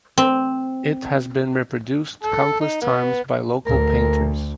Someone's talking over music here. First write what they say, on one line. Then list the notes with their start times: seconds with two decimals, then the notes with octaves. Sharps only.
It has been reproduced countless times by local painters.
0.18 C4
2.23 A4
2.61 D#4
2.82 B3
3.66 D2 A#4